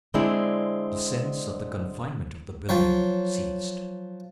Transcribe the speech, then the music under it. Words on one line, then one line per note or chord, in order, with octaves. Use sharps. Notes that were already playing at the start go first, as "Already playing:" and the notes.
The sense of the confinement of the building ceased.
D3 G#3 C4 D4 E4 G#4
F3 F#3 C#5